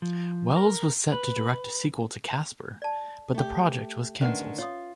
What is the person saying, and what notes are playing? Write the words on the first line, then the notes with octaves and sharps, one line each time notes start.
Wells was set to direct a sequel to "Casper", but the project was cancelled.
F3
A#4
B4
D5 A5
A3 G4
D3 D#3 A3 C#4 B4 F#5
F4 C#5 D#6